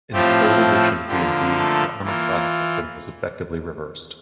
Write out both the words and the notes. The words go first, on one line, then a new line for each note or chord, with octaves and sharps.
In third edition "D and D", the armor class system was effectively reversed.
A2 F3 A3 C4 F4 G4
D3 F3 A#3 F4 G4
A3 A4
E3 A#3 F4